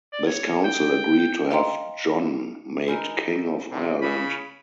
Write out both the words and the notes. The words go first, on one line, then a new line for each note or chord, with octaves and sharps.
This council agreed to have John made King of Ireland.
D5
C#5
G5
D#5 F5 G5 A#5 C6
E3 D#4 A#4
C3
C#3 B5